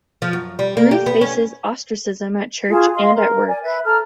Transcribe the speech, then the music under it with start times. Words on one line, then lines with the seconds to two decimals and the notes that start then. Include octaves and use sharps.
Ruth faces ostracism at church and at work.
0.22 F3
0.33 F#2
0.59 G3
0.77 A#3
0.91 G4
1.06 B3
1.21 C#4
2.69 F4 F#4 G#4 A5
2.94 D#5 F5 C6
3.13 A#4
3.47 D5 G#5
3.63 B4 E5
3.84 A4 A#5 F6